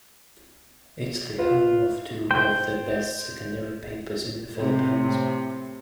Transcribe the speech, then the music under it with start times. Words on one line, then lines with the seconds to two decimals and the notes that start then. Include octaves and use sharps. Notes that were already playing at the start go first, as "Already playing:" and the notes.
It's the home of two of the best secondary papers in the Philippines.
1.38 F4 B4
2.31 C5 G5
4.56 A2 C3